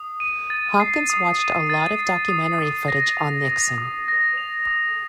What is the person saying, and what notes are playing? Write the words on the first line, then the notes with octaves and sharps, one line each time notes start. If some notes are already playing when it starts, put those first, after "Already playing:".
Hopkins watched a lot of documentary footage on Nixon.
Already playing: D#6
D#7
A6
C7
D#6
D#7
A6
C7
D#6
D#6
A#6
F7
D#6
D#6
A#6
F7
D#6